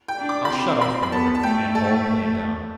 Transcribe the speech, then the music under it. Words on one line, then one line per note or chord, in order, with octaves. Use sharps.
"I'll shut off the motor, and vol-plane down."
G5
D4
D6
B5
C4 C6
B5
B5
B3 A5
A5
A3 G5
A4